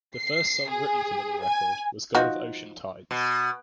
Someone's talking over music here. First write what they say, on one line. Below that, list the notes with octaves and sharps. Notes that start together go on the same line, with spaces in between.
The first song written for the new record was God of Ocean Tides.
C7
G#4
G#5
F3 D#4 F#4
B2